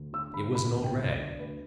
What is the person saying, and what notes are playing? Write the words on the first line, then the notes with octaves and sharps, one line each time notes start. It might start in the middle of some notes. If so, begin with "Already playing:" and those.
It was an old rag.
Already playing: D2
D3 E6
D3 B5
D2 B5
D2
G5
D3
D5
D3
D2 B4